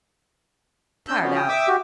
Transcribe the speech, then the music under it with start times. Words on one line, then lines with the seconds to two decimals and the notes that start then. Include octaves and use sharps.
Tired out.
1.08 D4 E6 G6
1.20 F3 F#3 B3 C#4
1.35 G5 D#6
1.49 E5 D6 E6
1.67 F#4 G4